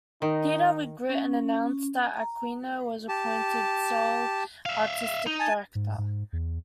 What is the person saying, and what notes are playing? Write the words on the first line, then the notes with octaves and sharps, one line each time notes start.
Theatre with Grit and announced that Aquino was appointed sole artistic director.
D#3 D#4
C#4
A#5
G4 A5
E5 F5
D#4
G#5 A5
G#2
G#2
E2